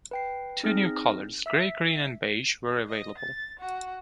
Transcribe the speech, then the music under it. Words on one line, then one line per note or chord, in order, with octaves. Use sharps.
Two new colours, grey-green and beige, were available.
B4 G5 C7
C4 D#4 G#4 F6 A#6
E5 E6 B6
D#5
A6
F#4